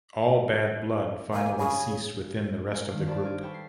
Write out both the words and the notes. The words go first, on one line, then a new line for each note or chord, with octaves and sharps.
All bad blood finally ceased within the rest of the group.
A#3 G#5
C#3 G#4
G#3 G#4 A#4 F5
G2 D#3
B4 C5 D5 F5 A5
D6 F6 G#6 D#7
A4 C#5 G5 A5 B5
C7